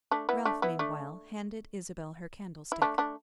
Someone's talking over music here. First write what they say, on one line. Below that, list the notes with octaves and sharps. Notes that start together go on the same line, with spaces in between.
Ralph meanwhile handed Isabel her candlestick.
A3 D4
B3 E4
A3 D4
B3 E4
A3 D4
E4
A3 D4
A3 D4